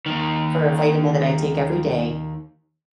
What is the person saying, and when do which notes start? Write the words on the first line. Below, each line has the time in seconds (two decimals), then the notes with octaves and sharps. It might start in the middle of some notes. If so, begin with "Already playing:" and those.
for a vitamin that I take every day,
0.06 D#2 D#3